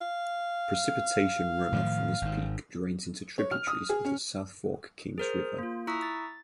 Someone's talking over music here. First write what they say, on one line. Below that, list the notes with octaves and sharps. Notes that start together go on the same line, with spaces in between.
Precipitation runoff from this peak drains into tributaries of the South Fork Kings River.
F5
A2 D#3 F3
G#1 G#2
C#5
F6
D#6
G#4
C#4
G#4 A#4 C5
A#3 F4
E4 A#5 C#6 D#6 E6 B6
A6